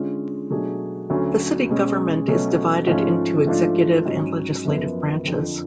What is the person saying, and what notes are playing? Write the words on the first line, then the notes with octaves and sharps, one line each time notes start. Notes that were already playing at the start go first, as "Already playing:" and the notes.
The city government is divided into executive and legislative branches.
Already playing: D3 G#3 C#4 F4
B2 F#3 A3 D4 G#4
D2 D3 F#3 A3 C#4
B2 G#3 C#4
B2 F#3 A3 C#4
G#2 F3 A3 C#4 F4
G#2 F3 A3 D4 F4
G#2 F#3 C#4
F#2 F3 B3
F2 D3 F3